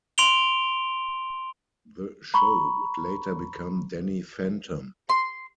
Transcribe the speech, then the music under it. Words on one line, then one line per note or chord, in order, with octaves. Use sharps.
The show would later become "Danny Phantom".
C6 D7 F7 G7
A#5 B5 C#6
C6